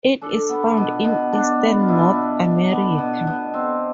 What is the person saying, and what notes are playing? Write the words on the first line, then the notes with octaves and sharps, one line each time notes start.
It is found in eastern North America.
D4 A4
B3
B2
B2
D4
B3
F4
B2 E4
B2
D4
B3
B2
B2
C4